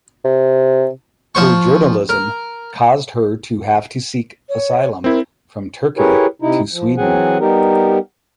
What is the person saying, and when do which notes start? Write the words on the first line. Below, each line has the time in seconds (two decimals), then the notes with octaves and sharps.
Her journalism caused her to have to seek asylum from Turkey to Sweden.
0.25 C3
1.35 F3 C5 C#6
2.09 A#4
4.49 C#5
5.04 C4 E4 A#4
5.98 E4 G4 G#4 A#4 B4 C#5
6.42 C3 D#4 E4
6.73 F3
6.97 E3 F#3 C4 G#4 F#5 G#5
7.40 G3 B3 D#4 G4 A#4